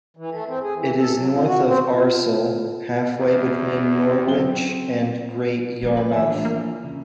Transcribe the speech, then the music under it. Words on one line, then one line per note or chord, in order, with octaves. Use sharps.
It is north of Acle, halfway between Norwich and Great Yarmouth.
E3
A3
C4
G#4
E3
A4
F#3
F3
F#4
C4
F4
E2
F#3 C4 G7
F3 G#3 C#4
B4
D#3 G3 E5 G#5
E3 D4 F4
A#3
C#3